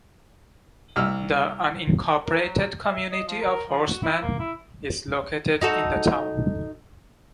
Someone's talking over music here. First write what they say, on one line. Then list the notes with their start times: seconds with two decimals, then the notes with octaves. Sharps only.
The unincorporated community of Horseman is located in the town.
0.96 C2 E6 F6
2.26 A#4
2.41 F#3
2.84 E5
3.11 D#5
3.28 F3
3.42 A#4
3.70 F3
3.83 F#4
4.03 E4
4.22 A#3
4.39 E4
5.61 D#4 F#4 A4